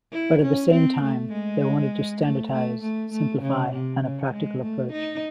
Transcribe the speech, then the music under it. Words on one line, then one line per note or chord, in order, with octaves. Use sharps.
But at the same time, they wanted to standardize, simplify and a practical approach.
E4
C#4
C4
A3
G#3
A3
A3
A3
A3
C#3
C3
C#3
G#3
A3
D#4